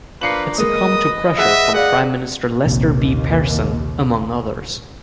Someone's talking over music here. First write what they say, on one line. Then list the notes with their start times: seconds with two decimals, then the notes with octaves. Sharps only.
It succumbed to pressure from Prime Minister Lester B. Pearson, among others.
0.21 F3 A#3 D4 B4 C7 C#7 F#7
0.58 G#3 A#3 B4 D#5 D#6
1.38 G#4 E5 F#5 F#6
1.74 G#4 D5 F5 F#5
2.66 A#1 D#2 C3